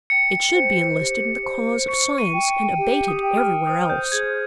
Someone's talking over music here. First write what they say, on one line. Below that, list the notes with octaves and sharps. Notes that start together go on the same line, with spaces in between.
It should be enlisted in the cause of science and abated everywhere else.
G5 C#7
C5
G4
C5
C#6 C#7
D#7
G5
C#7
G4
D#6
G5
F6
C5 D#6
G6
G#4 G#6